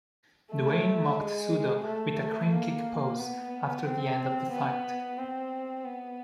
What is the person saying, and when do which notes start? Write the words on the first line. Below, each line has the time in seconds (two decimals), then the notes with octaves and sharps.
Duane mocked Sudo with a crane kick pose after the end of the fight.
0.52 A3
1.19 G#3
1.85 A3
2.52 A#3
3.19 B3
3.86 C4
4.52 B3
5.18 C4
5.85 B3